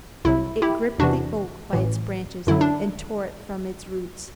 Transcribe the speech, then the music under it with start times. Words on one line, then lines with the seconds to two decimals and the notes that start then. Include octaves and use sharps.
It gripped the oak by its branches and tore it from its roots.
0.25 C2 C3 F#3 E4
0.62 E4 G4
0.98 E2 C3 E3 D4 F#4
1.73 A1 A2 E3
2.47 F#2 D3 F#3 E4
2.61 D4